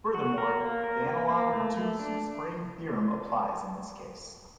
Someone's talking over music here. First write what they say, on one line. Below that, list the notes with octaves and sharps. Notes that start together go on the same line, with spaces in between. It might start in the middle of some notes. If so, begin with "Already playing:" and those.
Furthermore, the analogue of Tutte's spring theorem applies in this case.
F#4
A#4
A#3
A#4
A#3
A#3
A3
A3
D4